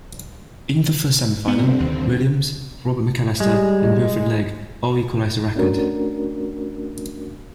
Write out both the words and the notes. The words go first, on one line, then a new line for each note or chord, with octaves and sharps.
In the first semifinal, Williams, Robert McAllister, and Wilfred Legg all equalized the record.
G2 D3 B3 C4
D#2
G3 G#3
A3 C#4 D4 F#4 A#4